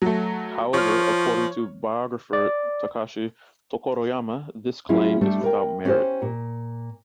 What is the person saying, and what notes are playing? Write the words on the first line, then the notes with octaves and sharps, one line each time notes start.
However, according to biographer Takashi Tokoroyama, this claim is without merit.
F#3 A3
F3 C#5 F6
D5
F#3 C#4 E4 F4 G#4
G3 A3 D4
A#4 G5
C#4 G4 C5
A#2